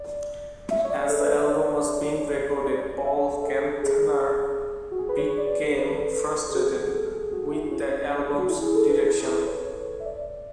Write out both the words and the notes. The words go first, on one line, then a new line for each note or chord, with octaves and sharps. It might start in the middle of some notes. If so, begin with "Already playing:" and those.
As the album was being recorded, Paul Kantner became frustrated with the album's direction.
Already playing: D5
E5
C#5
D5
A4
B4
C#5
E5
D5
C#5
C#5
D5
C#5
E5
C#5
A4
G#4
F#4
G#4
B4
C#5
C#5
D5
B4
A4
A4
G#4
F#4
G#4
A4
G#4
F#4
E4
C#4
F#4
E4
G#4
A4
B4
B4
G#4
A4
B4
C#5
E5
D5